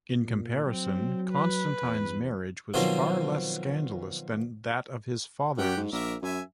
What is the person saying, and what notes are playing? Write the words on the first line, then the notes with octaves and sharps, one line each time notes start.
In comparison, Constantine's marriage was far less scandalous than that of his father's.
A#2
F#3 C4
B4
E2
B2 D#3 F3 F#3 C4
F#2 G4 F#5 G5
G#2
A#1 A#4 D5 E5
F#2 E5 G#5